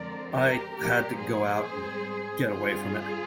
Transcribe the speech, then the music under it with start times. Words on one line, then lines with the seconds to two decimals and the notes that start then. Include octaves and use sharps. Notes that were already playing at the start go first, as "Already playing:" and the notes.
I had to go out and get away from it.
Already playing: F2 D3 G#3 C4 A#4 D5
0.31 G4 A#4
0.74 A#2 F3 A#3 G4 A#4
1.18 G#4 C5
1.62 G#2 G3 C4
2.49 G2 D3 G3 C4 F4 G#4